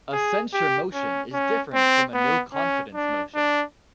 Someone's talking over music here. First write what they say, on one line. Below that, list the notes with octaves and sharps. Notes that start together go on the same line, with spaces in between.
A censure motion is different from a no-confidence motion.
G#4
G4
C#4
C#4
C4
B3
C#4
D4
D4